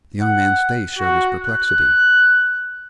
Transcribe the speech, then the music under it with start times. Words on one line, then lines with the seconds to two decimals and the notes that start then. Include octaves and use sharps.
The young man's face showed his perplexity.
0.22 F#5
0.98 F#4
1.43 F#6